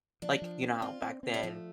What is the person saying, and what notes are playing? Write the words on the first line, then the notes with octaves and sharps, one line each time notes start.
like, you know how back then
F3 D4
F3
C4
C4 F4
C4
C4
G3
F3 A3